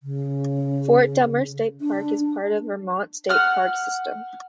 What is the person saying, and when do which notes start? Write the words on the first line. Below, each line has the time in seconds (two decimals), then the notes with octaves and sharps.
Fort Dummer State Park is part of the Vermont State Park system.
0.03 C#3
1.81 D4
3.29 F#5 F6